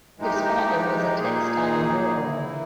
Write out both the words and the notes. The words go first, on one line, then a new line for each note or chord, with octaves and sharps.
His father was a textile mill owner.
E3 G#3 D#4 G4
A#2 A#3 D#4 G#4
E3 A#3 E4